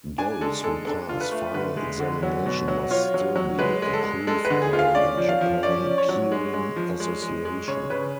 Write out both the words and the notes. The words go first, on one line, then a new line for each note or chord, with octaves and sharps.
Those who pass final examination must still be approved by the Japan Keirin Association.
D4 G#5
G#3 A4
G#3 A4
D4 A4
F4
B4
A3
D3 B4
G#3
D3
F#3
B2
F#3
F4 C#5
F#3
F#3
G#3 B4
G#3
A4
G#3
G#3 A4
B4
D3
G#4
F4
F5
C#4 D5
F3
F5
F3
C#4 D5
C#4
C#5
F#3
G#3
G#3
F3
G#3
G#3
G#3
C#3 C#5
C#3 B4